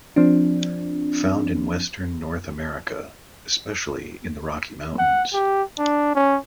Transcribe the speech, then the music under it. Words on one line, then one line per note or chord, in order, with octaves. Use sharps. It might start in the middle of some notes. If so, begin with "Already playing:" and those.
Found in western North America, especially in the Rocky Mountains.
F3 C4 D4
F#5
G4
D4
C#4